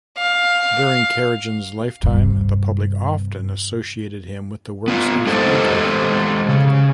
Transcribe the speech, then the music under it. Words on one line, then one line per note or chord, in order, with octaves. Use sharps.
During Karajan's lifetime, the public often associated him with the works of Beethoven.
F5
G2 C3
B3 F4
G#3 G4 A4 C5 D#5
C#3